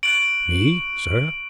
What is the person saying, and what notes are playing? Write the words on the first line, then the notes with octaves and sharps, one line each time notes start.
"Me, sir?"
C#6 F#6 D7 F#7